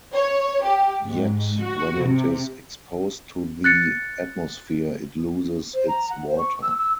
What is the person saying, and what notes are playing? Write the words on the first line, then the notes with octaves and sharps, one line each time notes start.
Yet when it is exposed to the atmosphere it loses its water.
C#5
G4
G#2
F#4
C3
F#6 A6 C#7
C5
A#5
F#5
C5
C#6
E6
E6